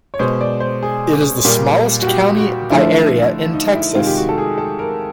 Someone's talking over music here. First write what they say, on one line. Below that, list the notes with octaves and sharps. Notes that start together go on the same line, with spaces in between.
It is the smallest county by area in Texas.
C#5
B2 G#3 C5
D5
C5
G#4
A#2 G3 A#3
F#4
G4
F#4
D3 F3 A3 E4
D#4
E4
C3 D#3 G#3 F4
G4
F#4
A4
G#4
A4
A#4